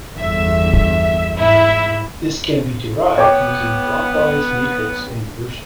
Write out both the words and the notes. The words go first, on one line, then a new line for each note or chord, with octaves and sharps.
This can be derived using blockwise matrix inversion.
G1 E2 E5
G#2 E4 E5
B3 C#5 G5 D6